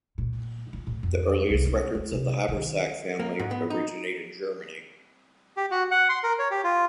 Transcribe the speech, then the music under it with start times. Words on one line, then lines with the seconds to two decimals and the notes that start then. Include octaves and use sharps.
The earliest records of the Habersack family originate in Germany.
0.18 A#2
0.73 F4
0.87 A2
1.03 F2
1.50 C2
1.66 C#4
1.94 D2
2.12 C3
2.48 D#3
3.20 A#3
3.39 G#2
3.51 B3
3.70 D#4
5.57 G4
5.71 F#4
5.91 F#5
6.09 C6
6.23 A#4
6.39 C#5
6.51 G4
6.64 F4